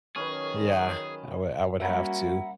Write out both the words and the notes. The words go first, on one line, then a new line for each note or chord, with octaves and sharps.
yeah, I would I would have to.
F#2 D#3 C#4 G#4 B4 C#5
G3 A#3 C#4 F#4 E5 F#5 A#5 B5